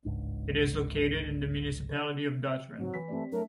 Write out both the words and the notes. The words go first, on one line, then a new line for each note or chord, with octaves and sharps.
It is located in the municipality of Dojran.
G1 C#2 G#2 D4
G#2 F#3 C4
E3 B6
A3 C4 G4 D5
F#3 A3 D4 A#4